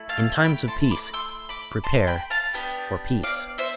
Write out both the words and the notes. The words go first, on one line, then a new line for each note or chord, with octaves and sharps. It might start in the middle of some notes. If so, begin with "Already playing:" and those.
In times of peace prepare for peace.
Already playing: A3 E4
F5 A5
G5 B5
A5 C6
B5 D6
C6 E6
B5 D6
A5 C6
G5 B5
F5 A5
B3 D4 G4
D5 F5
C5 E5